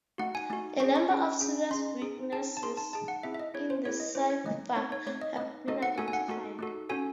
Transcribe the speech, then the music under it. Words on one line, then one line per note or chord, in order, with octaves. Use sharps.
A number of serious weaknesses in the cipher have been identified.
A3 D#4 F#4 F#5
G#5
A3 D#4 F#4
C#4 G#4 C#6
C#6
C#4 G#4
C#4 G#4
C#4 G#4 C6
D#4 G#4
D#4 G#4 A5
A5
D#4 G#4 C6
A5
D#4 G#4 A5
F#5
C4 E4 G#4 E5
E5
D#5
C4 E4 G#4 C#5
C5
C4 E4 G#4 C#5
D#5
C4 E4 G#4 C5
C#5
A3 C4 D#4 D#5
A3 C4 D#4 C#5
C#5
A3 C4 D#4 C#5
D#5
A3 C4 D#4 D#5
A3 D#4 F#4 A4 D#5
F#5
A3 D#4 F#4 A4 G#5
G#5
F#5
A3 D#4 F#4 A4
A3 D#4 F#4 A4
C#4 F#4 A4 G#5